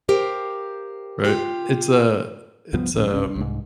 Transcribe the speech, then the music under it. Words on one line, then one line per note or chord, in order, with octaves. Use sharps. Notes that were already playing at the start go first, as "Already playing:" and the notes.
Right, it's a it's, um
G4 A#4 C5 F5
F4 G4
C#2 G2 F3 B3
D1 A#1 C#4
F#1 C2 C4 C#4
C2 G#2